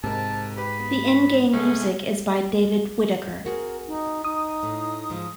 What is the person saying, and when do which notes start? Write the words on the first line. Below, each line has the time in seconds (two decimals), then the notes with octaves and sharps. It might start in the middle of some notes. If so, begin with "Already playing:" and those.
The in-game music is by David Whittaker.
0.04 G#2 C3 A#4 A5
0.57 G4 B4 B5
0.80 B3
1.53 C2 G#3 A3 C#4
3.45 C4 F#4 G#4 A#4
3.87 D#4
4.24 D#4 D#6
4.63 A2
5.10 G#2 F3